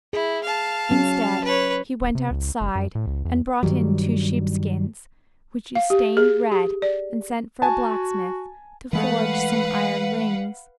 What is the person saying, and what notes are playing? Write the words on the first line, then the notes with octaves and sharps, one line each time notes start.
Instead, he went outside and brought in two sheepskins, which he stained red and sent for a blacksmith to forge some iron rings.
E4 G#4
F5 A5
F#3 C#4
B4 C#5
D1
C3
C#2
F#1
F#2
A2
C#2
E2
G2 D#3 F#3 G3
F5
G4
G#4
G4
D5
F#4 G#5 A5
E3 G#3 A3 B4 F5 F#5